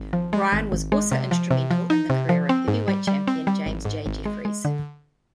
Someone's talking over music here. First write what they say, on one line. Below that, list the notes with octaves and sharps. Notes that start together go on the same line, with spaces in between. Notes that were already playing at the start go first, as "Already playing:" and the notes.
Ryan was also instrumental in the career of heavyweight champion James J. Jeffries.
Already playing: G#1
F3
G#3
G#1
G#1
G#3
C3
F3
C3
F3
D#4
C3
F3
C4
G#2
G3
G3
C4
G3
G#1
G#2
G#1
G#3
G#3
D3